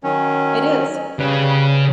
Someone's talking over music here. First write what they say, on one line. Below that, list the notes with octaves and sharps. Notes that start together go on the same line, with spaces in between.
It is.
D#3 F#3 C#4
C#3 G3 B4